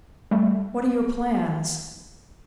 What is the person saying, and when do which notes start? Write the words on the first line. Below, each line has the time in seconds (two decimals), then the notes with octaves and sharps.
What are your plans?
0.31 G3 A3